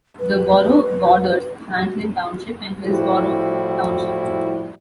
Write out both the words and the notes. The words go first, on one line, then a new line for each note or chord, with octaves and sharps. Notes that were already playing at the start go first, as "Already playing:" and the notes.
The borough borders Franklin Township and Hillsborough Township.
B4
A2 F3 G3 C4 E4 F#4